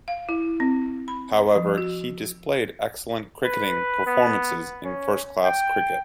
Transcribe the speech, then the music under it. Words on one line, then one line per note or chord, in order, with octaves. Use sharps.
However, he displayed excellent cricketing performances in first-class cricket.
F5
E4
C4
B5
F3
F#4
B4
B3
C#4
G5